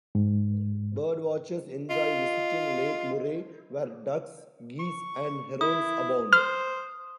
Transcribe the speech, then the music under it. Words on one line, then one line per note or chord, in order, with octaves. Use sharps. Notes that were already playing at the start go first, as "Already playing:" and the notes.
Birdwatchers enjoy visiting Lake Murray where ducks, geese, and herons abound.
G#2
F4 D#5
C#6
E4 D#6
C5 F6